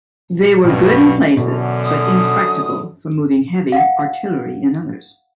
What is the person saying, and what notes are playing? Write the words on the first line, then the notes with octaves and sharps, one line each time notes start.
They were good in places but impractical for moving heavy artillery in others.
B1 G2 B2
F#2 B2 D3
D#6
F5 F#5